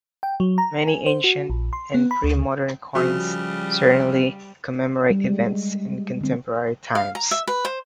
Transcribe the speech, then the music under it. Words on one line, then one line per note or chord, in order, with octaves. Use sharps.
Many ancient and pre-modern coins certainly commemorate events in contemporary times.
G5
F#3
A#5
G#5
C5
F#4
A#1
C6
B3
B5
D2
C#3 F3 G3 F#4 G#4 E5
G3
G#3
D3 C4
F5
A#5
E5
B4
C5